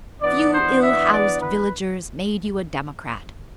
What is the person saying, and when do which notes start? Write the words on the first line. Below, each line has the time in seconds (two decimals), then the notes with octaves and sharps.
A few ill-housed villagers made you a democrat.
0.21 E3 B3 D4 D5
0.52 C5
0.82 E5
1.11 D5
1.41 B4